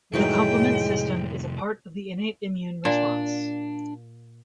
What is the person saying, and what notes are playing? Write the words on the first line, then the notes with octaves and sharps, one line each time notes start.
The complement system is a part of the innate immune response.
C2 F2 A2 E3 F#3 G#3 D#4 G5
A#2 D4